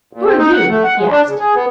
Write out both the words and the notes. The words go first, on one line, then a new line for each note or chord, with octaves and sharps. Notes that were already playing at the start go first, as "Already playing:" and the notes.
"Who are you?" he asked.
A#2
C4
D#4
F#5
A3
F#5
G#3
D4
C#3
G#4
B3